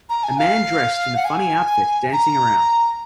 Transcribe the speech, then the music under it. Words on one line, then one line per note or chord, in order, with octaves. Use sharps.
A man dressed in a funny outfit dancing around.
A#5
G#5
F5
F#5
G#5
A#5